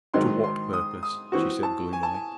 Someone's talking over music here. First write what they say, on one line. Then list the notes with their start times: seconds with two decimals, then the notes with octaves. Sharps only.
"To what purpose?" she said gloomily.
0.14 G#2 D#3 F#3 C4 D#4 C6
0.44 C6
0.73 D#6
1.03 D#6
1.32 E3 C4 F#4 C#6
1.63 A5
1.93 G#5
2.03 A5
2.14 G#5